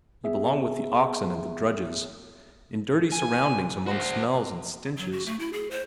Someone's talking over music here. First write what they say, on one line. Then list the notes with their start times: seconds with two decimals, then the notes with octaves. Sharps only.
You belong with the oxen and the drudges, in dirty surroundings among smells and stenches.
0.24 B3 G#4 E5
3.12 G#5
3.87 F#4 C5
4.97 F#3
5.12 F#4
5.26 A3
5.40 E4
5.53 G#4
5.71 C5